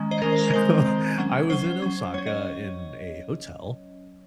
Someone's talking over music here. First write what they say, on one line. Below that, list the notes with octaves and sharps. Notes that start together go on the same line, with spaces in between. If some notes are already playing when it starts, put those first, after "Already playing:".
So, I was in Osaka in a hotel,
Already playing: D#3 G#3 C#4
C5 D#5
D#3 G#3 C#4 A#4
C5
A#4
D#3 G#3 C4 C5
D#3 G#3 C4
F#3 C#4
F#3 C#4 C5
F#3 C#4
F#3 C#4 C#5
D#5